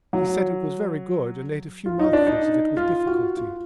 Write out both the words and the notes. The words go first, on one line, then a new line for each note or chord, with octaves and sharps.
He said it was very good and ate a few mouthfuls of it with difficulty.
F#3
F4
D#4
D4
D#4
F4
F#4
F4